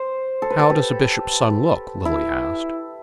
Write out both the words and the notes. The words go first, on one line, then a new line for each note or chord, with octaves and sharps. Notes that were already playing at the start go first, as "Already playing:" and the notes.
"How does a bishop's son look?" Lily asked.
Already playing: C5
A4
B4
A4
G4
E4